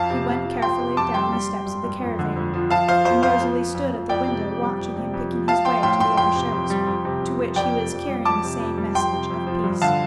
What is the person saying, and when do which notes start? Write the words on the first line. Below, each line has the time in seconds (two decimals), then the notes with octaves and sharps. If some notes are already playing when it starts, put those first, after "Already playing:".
He went carefully down the steps of the caravan, and Rosalie stood at the window, watching him picking his way to the other shows, to which he was carrying the same message of peace.
Already playing: F2 F5 A5
0.10 C3
0.28 F2
0.45 F3
0.62 F2 G5 C6
0.79 C3
0.97 F2 A5 D6
1.14 G3 G5 C6
1.32 G3
1.50 G3
1.66 G2
1.84 G2
2.02 F2
2.19 D3
2.36 F2
2.54 F3
2.70 F3 F5 A5
2.88 F3 C5 F5
3.05 F2 C5 F5
3.23 F2 C5 F5
3.41 F3
3.57 F3
3.75 F2
3.92 F2
4.09 F2 D5 G5
4.27 C3
4.44 F2
4.62 G3
4.79 F2
4.96 C3
5.14 F2
5.31 F3
5.48 F3 F5 A5
5.65 F3 G5 C6
5.83 A2 G5 C6
6.00 A2 G5 C6
6.17 F2 G5 C6
6.36 C3
6.52 F2
6.70 G3
6.87 F2
7.05 C3
7.22 F2
7.38 F3
7.56 F2 D5 G5
7.73 C3
7.91 F2
8.09 G3
8.25 F2 A5 D6
8.43 C3
8.60 F2
8.77 G3
8.95 F2 G5 C6
9.13 C3
9.30 F2
9.47 F3
9.64 G2
9.82 D3 F5 A5